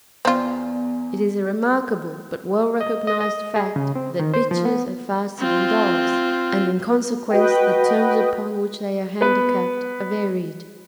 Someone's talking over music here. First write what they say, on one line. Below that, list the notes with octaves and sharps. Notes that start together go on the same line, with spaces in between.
It is a remarkable but well recognised fact that bitches are faster than dogs, and in consequence the terms upon which they are handicapped are varied.
E2 C4 F4 D5
D#5
D#5
D#5
G#4
C#3
C4
D#3
C5
F3
B3
C4 F4
F#4 B4 D#5 G5
B3 B4